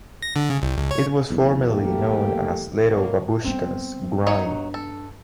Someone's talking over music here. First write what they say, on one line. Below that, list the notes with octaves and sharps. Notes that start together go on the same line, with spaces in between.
It was formerly known as Little Babooshka's Grind.
A#6
D3
C#3
C2
C#2
C#5
B1 E2
A3 A#3 G4
B2 F#3 A#3
G3 B3 C4
F#3 D#4 C#5
G2
A4